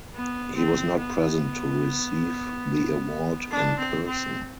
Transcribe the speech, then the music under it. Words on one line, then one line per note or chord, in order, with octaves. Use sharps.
He was not present to receive the award in person.
B3
C4
B3
D4
C4
C4